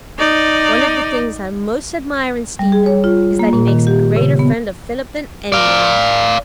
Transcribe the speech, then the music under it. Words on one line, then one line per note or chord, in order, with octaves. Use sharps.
"One of the things I most admire in Stephen is that he makes a greater friend of Philip than any one."
D#4 D5
G3
G#4
C#5
F4
A#3
A#2
D#3
G4
C#3
B3
D5 F5